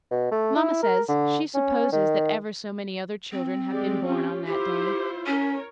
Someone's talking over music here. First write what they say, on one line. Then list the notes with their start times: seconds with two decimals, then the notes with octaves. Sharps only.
Mama says she supposes that ever so many other children have been born on that day.
0.11 B2
0.32 A3
0.56 E4
0.83 A#4
1.08 D3
1.54 C#4
1.93 D#3
3.32 C4
3.69 G#3 G4 D5
4.05 C#4 F4 G4
4.46 E4 F4 G4 C5
5.26 C#4 A#4 C#5